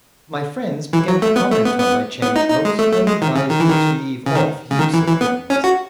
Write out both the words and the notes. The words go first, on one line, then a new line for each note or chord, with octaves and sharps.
My friends began to comment on my changed looks, and advised me to leave off heaps of things.
E3
F#3
A3
B3
A3
B3
B3
B3
D#4
D#4
G#3
A3
A3
G#3
D#3
C#3
D#3
E3
D#3
C#3
D#3
C#3
D#3
E3
E3
B3
C#4
F#4